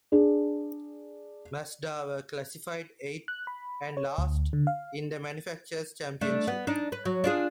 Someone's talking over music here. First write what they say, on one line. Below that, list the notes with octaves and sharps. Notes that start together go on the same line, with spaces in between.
Mazda were classified eighth, and last, in the manufacturer's championship.
D4 G#4
F#6
B5
C#5
D2
D3
F5
A3 D4
B3
D4 D#4
B4
F#3
D4 F4 G#4